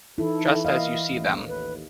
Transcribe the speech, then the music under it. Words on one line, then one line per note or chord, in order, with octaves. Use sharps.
Just as you see them.
E3 D#4 E4 A4
A#3 D#5 F5
A1 D#2
B4